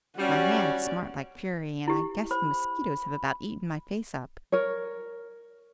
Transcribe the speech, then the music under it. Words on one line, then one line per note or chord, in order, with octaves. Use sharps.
My hands smart like fury, and I guess the mosquitoes have about eaten my face up.
G3 C#4 F#4 D5
E4 G4
C5 B5
A#4 C#5